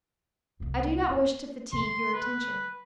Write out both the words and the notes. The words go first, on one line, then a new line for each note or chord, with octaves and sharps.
I do not wish to fatigue your attention.
C2 A3
A#3 E4
D3 C6
B4